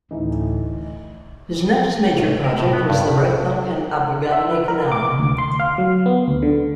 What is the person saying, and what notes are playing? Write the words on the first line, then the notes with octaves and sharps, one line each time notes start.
His next major project was the Brecknock and Abergavenny Canal.
D2 A2 E3 D#4
A1
A#4
A2
B3
G2
A#1
E5
B4
A#4
D6
D2
C6
F5
F#3
B3
D2
D3